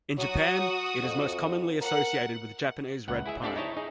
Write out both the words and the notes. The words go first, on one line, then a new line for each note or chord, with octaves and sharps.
In Japan it is most commonly associated with Japanese red pine.
F#3 F#4 D#6
F2
A#4 F#5
C#2 F#5
E4 G#4 E5
C4 D4 G4 A4 D5
D#4 E4 C#5 D#5 A5
D#4 G#4